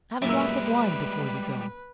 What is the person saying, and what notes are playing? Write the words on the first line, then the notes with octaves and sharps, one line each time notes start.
"Have a glass of wine before you go."
F#2 A#2 G3 G#3 A#3 B4 E5 E6